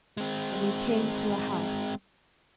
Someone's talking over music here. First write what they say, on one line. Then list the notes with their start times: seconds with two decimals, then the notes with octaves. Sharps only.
Then he came to a house.
0.17 G#3 C4